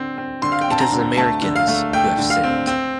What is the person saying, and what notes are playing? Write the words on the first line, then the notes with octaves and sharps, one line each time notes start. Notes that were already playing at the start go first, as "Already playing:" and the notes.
It is the Americans who have sinned.
Already playing: D3 C4
C4
D3 C6
F5
G5
C4 A5
A#5
D3
A3 A5
D3
F5
A3
A3 G5
D3
F5
C4
C4